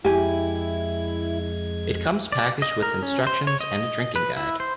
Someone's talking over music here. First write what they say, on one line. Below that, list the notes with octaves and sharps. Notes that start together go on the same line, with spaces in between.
It comes packaged with instructions and a drinking guide.
F2 G#3 E4 G4 G#5 G#6
D5
D#5
A#4
C#4
C5
C#5
D#5
B4
E4
C5